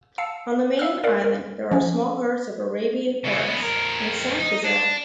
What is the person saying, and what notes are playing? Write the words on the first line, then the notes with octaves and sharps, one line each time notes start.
On the main island there are small herds of Arabian oryx and sand gazelle.
F5 A5 E6 C#7
E5 F5 E6 F6
A#4 D5 E5 F5
A#4
F3 C#4
C#3 E3
G#3 B3
F2 A#4
D#4
D4